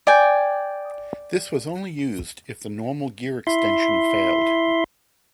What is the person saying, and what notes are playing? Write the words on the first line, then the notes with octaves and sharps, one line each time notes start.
This was only used if the normal gear extension failed.
D5 G5 G#5
E4 E5 C6